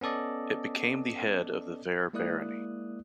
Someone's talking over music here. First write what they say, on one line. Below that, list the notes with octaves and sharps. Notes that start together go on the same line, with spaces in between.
It became the head of the Vere barony.
B3 C#4 A4 D5 D#5
G#3 A#3 E4 D5 D#6 F#6